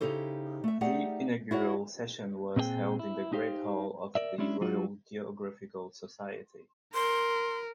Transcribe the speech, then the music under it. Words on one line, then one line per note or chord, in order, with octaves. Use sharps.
The inaugural session was held in the Great Hall of the Royal Geographical Society.
C#3 D#4 E4 G4 A4 C5
A3 E5
A3 D#4 G4 G#4 D5 F#5
E4 F#4 C#5 F#5
A#2 C4 D#4 E4 G#4 G5
E4
D#4 G4 C5 F5
A#4 D5 E5
G#3 C#4 D4 E4
F#3 D4 F4 F#4
A#4 C6